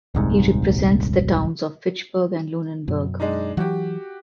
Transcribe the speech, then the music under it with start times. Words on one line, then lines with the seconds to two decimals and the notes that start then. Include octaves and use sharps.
He represents the towns of Fitchburg and Lunenburg.
0.15 D#1 C2 G#2
2.88 F#2 B2
3.20 G#3 D4 D#4
3.57 E3 F#3 F#4 G4